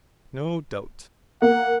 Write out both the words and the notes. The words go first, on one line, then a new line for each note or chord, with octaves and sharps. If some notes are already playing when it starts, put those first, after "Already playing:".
No doubt.
A#3 F#5